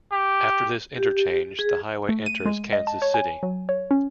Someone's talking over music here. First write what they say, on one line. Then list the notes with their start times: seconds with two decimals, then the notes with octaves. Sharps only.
After this interchange, the highway enters Kansas City.
0.12 G4
0.96 G4
1.59 G#4
2.09 A3
2.26 D#7
2.46 G#3
2.73 D#5
2.87 A5
3.02 C#5
3.14 G#5
3.43 F#3
3.69 C#5
3.91 C#4